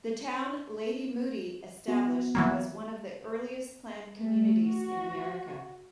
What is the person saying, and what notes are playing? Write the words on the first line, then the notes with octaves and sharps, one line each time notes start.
The town Lady Moody established was one of the earliest planned communities in America.
B3 F#4
E3 F#3 A#3
A3
F#4